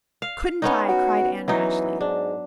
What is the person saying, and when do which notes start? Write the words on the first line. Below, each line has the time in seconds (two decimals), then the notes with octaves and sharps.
"Couldn't I?" cried Anne rashly.
0.22 F5
0.62 B3 C#4 D#4
0.88 F#4
1.48 E3 F#3 D#4
2.01 G#2 D4